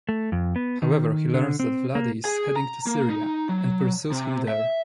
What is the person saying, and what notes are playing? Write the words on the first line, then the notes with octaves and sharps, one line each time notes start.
However, he learns that Vlady is heading to Syria, and pursues him there.
A3
F2
B3
D#3
D3
C4
A#3
G#4
A#5
A#3
D#4
F#3
C3
E5